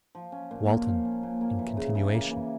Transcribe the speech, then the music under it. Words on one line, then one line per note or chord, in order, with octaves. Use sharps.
Walton, in continuation.
F3
C#4
A#2
A#3
F3
C#4
A#2
A#3
E3
C#3
C#3
A#3
E3